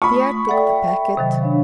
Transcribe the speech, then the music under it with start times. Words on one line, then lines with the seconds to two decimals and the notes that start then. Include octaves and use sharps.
Pierre took the packet.
0.02 A3 F4 B5 C#6 D#6
0.49 A4 D5 E5 F#5 G5
1.17 C3 D#3 F#3
1.41 D4 C#5 F5